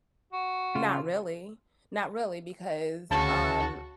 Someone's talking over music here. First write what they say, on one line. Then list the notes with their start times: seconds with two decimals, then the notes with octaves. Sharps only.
not really. Not really, because, um
0.33 F#4
0.75 C#3 F4
3.11 D2 C#3 F#4 A5